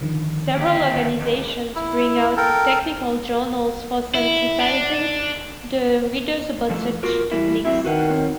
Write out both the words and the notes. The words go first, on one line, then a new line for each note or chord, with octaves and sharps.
Several organizations bring out technical Journals for sensitizing the readers about such techniques.
D3 D#3 F3
A#2 G4
C#2
E4
A4 A#4 G5
E4
D4
A2 F3 A4
F4 F#4 A#4
E3 G3 E4
F#3 C4 E4 E5
D#3 F#4 B4 F#5
C4 C#5